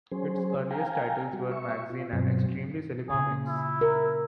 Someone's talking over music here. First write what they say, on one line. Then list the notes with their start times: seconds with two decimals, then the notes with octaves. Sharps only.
Its earliest titles were "Mangazine" and "Extremely Silly Comics".
0.12 F#3 C#4 G#4 C5
0.71 F5 G5 G#5 A#5
1.33 G3 F#4
1.51 E5 C#6
1.90 F4
2.13 G2 B2 F#3 C4
3.10 A#2 C#3 G#4
3.48 E4
3.81 A#4